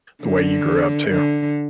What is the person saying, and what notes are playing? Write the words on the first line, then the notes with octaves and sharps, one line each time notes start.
the way you grew up too,
D3
D3